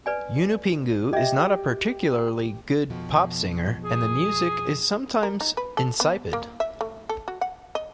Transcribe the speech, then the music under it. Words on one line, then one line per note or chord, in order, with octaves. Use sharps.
Yunupingu is not a particularly good pop singer, and the music is sometimes insipid.
B4 D5 G#5
G4 D#5 E5
F2 B2 F3
G#4
A#4
D#4
B4
A4
B3
A#3
E5
A3
A4
F#4
F#5
D#5